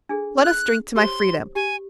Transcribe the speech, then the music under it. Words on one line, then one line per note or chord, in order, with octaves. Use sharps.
Let us drink to my freedom.
D4 G#4 A4
F#6
G4 C5 C#5 C6
G4 G#5